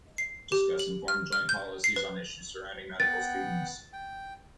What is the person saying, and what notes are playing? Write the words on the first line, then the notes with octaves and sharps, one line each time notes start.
Discuss and form joint policies on issues surrounding medical students.
C7
G4
F#7
F6
F6
G6
C7
B4
B3 F#5 G5 A6
G5